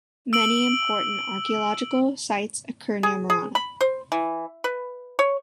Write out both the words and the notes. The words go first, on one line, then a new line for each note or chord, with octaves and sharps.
Many important archaeological sites occur near Marana.
E6 D7 F#7
G#4
G#4
B5
C5
E3
B4
C#5